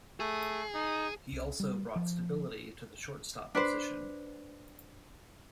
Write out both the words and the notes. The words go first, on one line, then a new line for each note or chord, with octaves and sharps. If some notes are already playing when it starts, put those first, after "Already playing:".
He also brought stability to the shortstop position.
A3 G#4
D#4
C2
G3
F3
D4 B4 C5